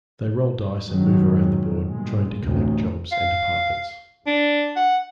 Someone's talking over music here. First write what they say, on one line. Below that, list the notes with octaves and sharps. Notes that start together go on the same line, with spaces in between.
They roll dice and move around the board, trying to collect jobs and apartments.
G#2 B2 D#3 F#3 G#3
G2 A#2 G#3
A1 D2 C3
F5
D4
F#5